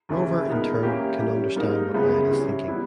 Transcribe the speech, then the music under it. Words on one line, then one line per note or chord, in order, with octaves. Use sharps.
Rover, in turn, can understand what Red is thinking.
D#2 C#3 E3
A#2 G#3 B3 D#4 A#4
E3 A#3 C#4 G4
G3 C#4 G4
G#2 G3 A#3 D#4 A#4
C#2 C#3 E3 G#3 B3
E3 G3 C#4
G3 B3 E4